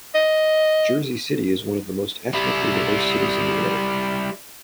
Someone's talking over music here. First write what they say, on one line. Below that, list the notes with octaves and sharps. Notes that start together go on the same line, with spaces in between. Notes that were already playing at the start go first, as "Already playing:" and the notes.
Jersey City is one of the most ethnically diverse cities in the world.
D#5
G3 E4